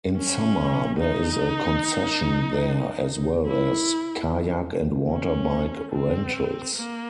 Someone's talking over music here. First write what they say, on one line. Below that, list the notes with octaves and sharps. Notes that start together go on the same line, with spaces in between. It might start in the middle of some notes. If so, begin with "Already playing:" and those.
In summer, there is a concession there as well as, kayak-and-water-bike rentals.
C#4
D#4
E4
C#4
C4
A#3